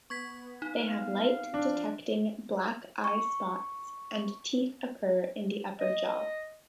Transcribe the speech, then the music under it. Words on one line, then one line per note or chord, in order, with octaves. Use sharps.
They have light-detecting black eye spots, and teeth occur in the upper jaw.
B3 C#6 G#6 B6
D#4 F5
F3 D4
C#6
D#5